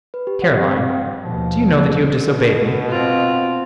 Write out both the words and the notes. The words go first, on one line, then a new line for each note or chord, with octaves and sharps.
"Caroline, do you know that you have disobeyed me?"
B4
G4
F#5
C4
F5
G5
D#2 B2 F3
B2
C4 F4